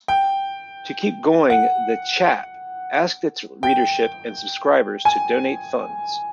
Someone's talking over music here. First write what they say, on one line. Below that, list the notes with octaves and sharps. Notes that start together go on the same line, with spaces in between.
To keep going "The Chap" asked its readership and subscribers to donate funds.
G5
F#5
G5
G#5